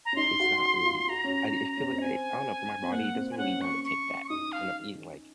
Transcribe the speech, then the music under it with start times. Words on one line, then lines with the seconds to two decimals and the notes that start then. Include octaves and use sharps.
it's not really I it'd feel, like I don't know, for my body, it doesn't really know how to take that when I'm eating, like,
0.05 A#5
0.13 C#4
0.16 D#4 C6
0.40 F#4
0.86 F4
1.08 F#4 A#5
1.24 C#4
1.77 C#4
1.89 C4
2.00 C4 G#5
2.82 C4
2.92 A#3 F#5
3.15 C4
3.31 G#5
3.38 C#4 F#5
3.61 C#6
3.84 C#6
4.23 C#6
4.29 D#4 D#6
4.52 F5